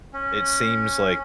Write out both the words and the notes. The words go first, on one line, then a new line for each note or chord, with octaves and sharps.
it seems like
C#4